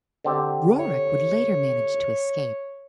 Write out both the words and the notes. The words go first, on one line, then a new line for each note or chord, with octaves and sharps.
Rorik would later manage to escape.
D3 C4 G4
C#5